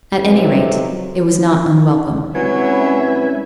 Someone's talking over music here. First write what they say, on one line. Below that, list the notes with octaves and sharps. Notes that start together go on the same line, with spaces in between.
At any rate, it was not unwelcome.
B1 F2 C3 F#3
C2 F#3 G#3 C#4 B4 E5 G#5